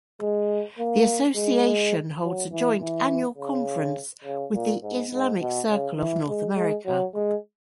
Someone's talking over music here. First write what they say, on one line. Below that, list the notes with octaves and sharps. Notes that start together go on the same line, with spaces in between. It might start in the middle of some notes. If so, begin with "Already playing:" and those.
The association holds a joint annual conference with the Islamic Circle of North America.
G#3
A#3
G#3
F#3
E3
E3
C#3
C#3
A#2
G#2
G#2
B2
C#3
E3
G#3
G#3
F#3
G#3